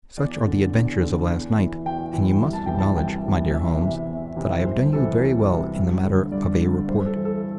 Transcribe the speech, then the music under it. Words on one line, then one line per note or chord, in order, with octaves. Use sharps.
Such are the adventures of last night, and you must acknowledge, my dear Holmes, that I have done you very well in the matter of a report.
E2 D5
D3
E2
D3
E2
E3
E2 G5
E3
C2
A5
C3 E3 G5
A5
C2 G5
C3 E3
E2 E5
C3 E3
E2
C3 E3
C2 C5
C3 E3 A4
C2
C3 E3
G2
D3
G2 D5
D3
G2 C5
A4
E3
A4